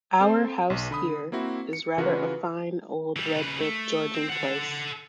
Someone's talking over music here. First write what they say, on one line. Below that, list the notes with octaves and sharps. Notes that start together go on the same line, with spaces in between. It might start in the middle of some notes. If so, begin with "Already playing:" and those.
Our house here is rather a fine old red brick Georgian place.
C4 A4 C5
B1
D3 B5 D#6
A#3 C4 E4 F#4
C#7
C#3 E3 F4 F#4 A#4 B4
E3 G3
C#3 B4
A3
C4
A4 F#5